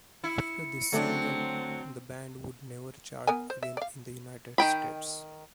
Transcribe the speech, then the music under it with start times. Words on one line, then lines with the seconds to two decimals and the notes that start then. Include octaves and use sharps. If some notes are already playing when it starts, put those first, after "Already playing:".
After this single, the band would never chart again in the United States.
0.24 E4 C#7
0.93 D3 F#3 A3 C4 D4
3.27 B3 A#4 G#5
3.50 C5
3.63 E5
3.77 D5 F5
4.58 D#3 G5 B5